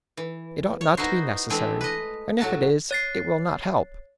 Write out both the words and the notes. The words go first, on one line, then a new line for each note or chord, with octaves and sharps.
It ought not to be necessary; and if it is, it will not help.
E3
C#5
B3 D#4 E4 F#4 C5
E3 G#3 A3 C4 D4 E4
B4 D#5
A2 F#3 F#4 A5
C#5 A6 C7